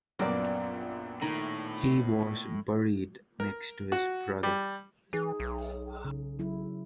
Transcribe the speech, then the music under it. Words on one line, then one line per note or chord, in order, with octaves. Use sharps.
He was buried next to his brother.
A#1 F#2 A#2 A#3 B3 D5
A2 D#3 A#5
A#4
F#4
G3
E3 D#4 G#4
B1
C#3
F#3 E4